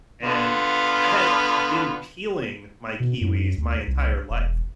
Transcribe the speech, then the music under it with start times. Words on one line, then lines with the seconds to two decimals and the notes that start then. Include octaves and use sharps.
And I had been peeling my kiwis my entire life
0.23 D3 B3 F4
3.00 B2
3.21 F#2
3.58 D2
3.88 C2
4.30 E1